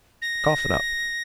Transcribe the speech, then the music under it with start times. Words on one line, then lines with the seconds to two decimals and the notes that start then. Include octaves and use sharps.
Cough it up.
0.22 A#6